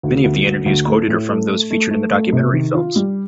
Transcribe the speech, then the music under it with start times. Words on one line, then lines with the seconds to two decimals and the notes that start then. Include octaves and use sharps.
Many of the interviews quoted are from those featured in the documentary films.
0.03 D2
0.24 D2
0.45 D2
0.66 D2
0.87 A3
1.08 A2
1.29 A3
1.49 A3
1.71 A3
1.91 A3
2.12 A3
2.32 C3
2.54 D#3
2.75 F4
2.96 G3